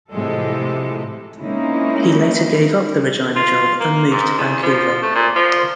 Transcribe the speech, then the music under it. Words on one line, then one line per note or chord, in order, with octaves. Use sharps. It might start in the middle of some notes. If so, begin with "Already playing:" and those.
He later gave up the Regina job and moved to Vancouver.
A2 C3 E3 F3 G#3 A4
G#3 A#3 C4 C#4 D#4 E4
F4
A#3
G#2
E2
F3
A3
A#2
F3